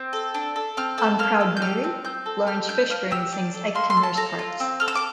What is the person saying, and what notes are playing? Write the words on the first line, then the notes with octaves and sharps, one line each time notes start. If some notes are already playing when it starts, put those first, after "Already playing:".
On "Proud Mary," Laurence Fishburne sings Ike Turner's parts.
Already playing: C4
A4
D4
A4
C4 F6
A4 E6
A#3 F6
A4
G6
G4 F6
C4
C4 G6
A4
G4 F6
D4 G6
A#3 F6
G4 E6
D4
A4
A#3 C6
C6
A4
A5
A4 A#5
F4
C4
A4 F6
E6
D6